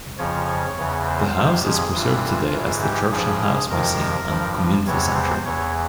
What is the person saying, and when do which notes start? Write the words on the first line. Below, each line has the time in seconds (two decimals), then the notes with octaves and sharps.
The house is preserved today as the Churchill House museum and community centre.
0.18 F2 C#3 F3 C#5
0.77 E2 C#3 E3
1.07 C5
1.36 F2 C3 F3
1.64 G#4
1.94 G2 E3 F4
2.24 F4
2.52 G#2 E3
2.82 G4
3.11 G2 F3 G#4
3.69 F2 C3 F3 A#4
4.29 G2 F3
4.86 E2 C3 E3 C#5
5.15 C5
5.45 E2 E3 C#5